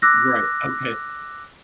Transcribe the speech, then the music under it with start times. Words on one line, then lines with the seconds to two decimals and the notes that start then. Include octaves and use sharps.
Right, okay.
0.02 D6 E6 F#6 A#6